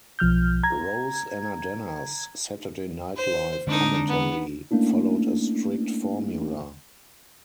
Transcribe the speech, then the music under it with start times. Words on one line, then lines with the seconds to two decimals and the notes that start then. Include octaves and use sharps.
Roseannadanna's "Saturday Night Live" commentary followed a strict formula.
0.19 B1 F3 F6 G6
0.63 A#5 G#6
3.17 C5
3.67 D3 G#3 C4 D4 D#4
4.08 B3
4.71 A3 A#3 C#4 D4 E4